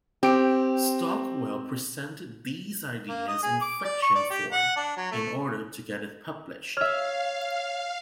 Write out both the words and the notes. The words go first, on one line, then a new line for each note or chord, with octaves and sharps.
Stockwell presented these ideas in fiction form in order to get it published.
C4 G4 D7
A#3
D#5
G#4
D6
D5
C#6
D5
G4
F#5
D4
F#3
A3
C#5 E5 F5 F6